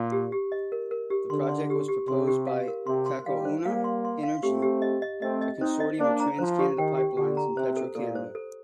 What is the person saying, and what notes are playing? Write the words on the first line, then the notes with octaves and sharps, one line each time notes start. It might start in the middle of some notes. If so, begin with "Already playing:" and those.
The project was proposed by "Cacouna Energy", a consortium of TransCanada Pipelines and Petro-Canada.
Already playing: A#2
G4
G4
D#5
A#4
A#4
G4
D3 C6
C6
G4
G4
C3 C6
G4
F5
A#4
C3 C6
C6
D#3 G3 F5
C5
G3 A#3 F5
C6
C6
F5
A3 C4 G4
G4
D#5
D#5
A3 C4 D#5
D#5
C4 D#4 C5
D#5
A#3 D4 C5
A#5
F3 C5
G4
D#3 G5
G4
D3 G4
A#5
C3 C5
A4
A#2 A4
C5
A4